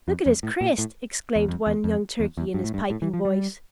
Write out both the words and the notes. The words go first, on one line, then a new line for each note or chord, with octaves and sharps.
"Look at his crest!" exclaimed one young Turkey in his piping voice.
F2
F2
A2
A#2
A2
E2
F2
E2
F2
E2
E2
G2
A2
G2
A2
E3
F3
G3